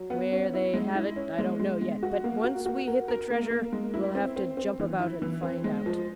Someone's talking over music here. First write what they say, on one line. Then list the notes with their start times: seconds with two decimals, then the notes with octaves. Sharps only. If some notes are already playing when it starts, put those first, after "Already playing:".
Where they have it, I don't know yet; but once we hit the treasure, we'll have to jump about and find out.
Already playing: F#3
0.10 B3
0.32 C#4
0.53 E4
0.74 G#3
0.95 E4
1.16 C#4
1.38 G#3
1.60 G#3
1.81 G#3
2.03 F#4
2.24 A#3
2.44 F#4
2.66 F#4
2.87 A#4
3.08 A#4
3.30 A#3
3.51 A#3
3.73 G#3
3.94 E4
4.15 C4
4.36 C4
4.57 C4
4.80 E3
5.00 E4
5.22 E3
5.43 C4
5.64 G#3
5.86 F3